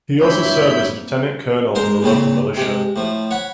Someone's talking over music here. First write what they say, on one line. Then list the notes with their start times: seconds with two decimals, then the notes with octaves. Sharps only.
He also served as lieutenant-colonel in the local militia.
0.19 G2 F#3 A#3 C4 E4 C#5 B5 G6
1.75 G#3 A#4 C5 C6
2.02 A#2 C#3 C4 C5
2.57 C3 G#3
2.96 A2 F3
3.31 C#5 F#5 B5